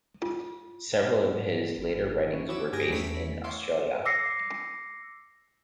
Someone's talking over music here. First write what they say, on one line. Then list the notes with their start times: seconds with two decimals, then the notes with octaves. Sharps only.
Several of his later writings were based in Australia.
0.22 F4
1.78 G#1
2.33 E3 C#4
2.49 E4 F#4 C#5 D6 E6
2.72 G2 G4 G#4 G5 G#6 A#6
2.89 E2 A3 C#4 E4 B6
3.44 C#5 C6 D6 E6
4.05 D6 E6 A#6 C7 C#7